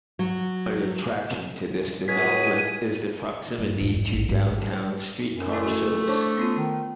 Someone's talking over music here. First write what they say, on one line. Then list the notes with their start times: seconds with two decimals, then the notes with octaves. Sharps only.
An attraction to this development is the proximity to downtown streetcar service.
0.19 F#3
2.08 C#2 A2 F#4 G#4 G#6 B6 D#7
3.58 G2
3.80 E1 G#2
3.96 G#2
4.13 G#1
4.29 G#1 G#2
5.33 F#2
5.50 A3 C#4 E4 A5
5.64 F#4
6.07 D4 C5 C#5 C#6
6.37 B3 C#4 F4
6.57 D#3